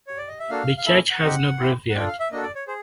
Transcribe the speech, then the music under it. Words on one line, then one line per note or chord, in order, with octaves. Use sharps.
The church has no graveyard.
C#5
D5
D#5
E5
A#3 D4 F#4 A4 F5
F5
A#3 C#4 E4 A4 E5
F#5
C4 D#4 G4
C4 E4 G4
F#5
D4 F4 A4 G5
F5
E5
A#3 D4 F#4 A4 D#5
D5
C#5
G#4 C5